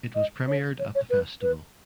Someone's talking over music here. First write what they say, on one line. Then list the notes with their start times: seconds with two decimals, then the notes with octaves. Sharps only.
It was premiered at the festival.
0.15 D#5
0.48 C#5
0.79 C#5
0.95 C#5
1.10 B4
1.42 B4